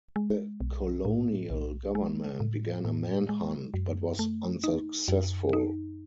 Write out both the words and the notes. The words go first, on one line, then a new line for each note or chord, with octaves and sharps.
The Colonial Government began a man-hunt, but was unsuccessful.
G#3
B1
A2
B1
G#3
A2
A2
G#3
F#2
A3
D#4
F#2
D#4